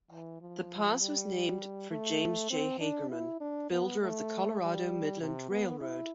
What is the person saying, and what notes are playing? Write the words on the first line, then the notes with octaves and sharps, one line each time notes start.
The pass was named for James J. Hagerman, builder of the Colorado Midland Railroad.
E3
F3
G3
A3
C4
D4
E4
D4
B3
A3
G3
C3
B3
E4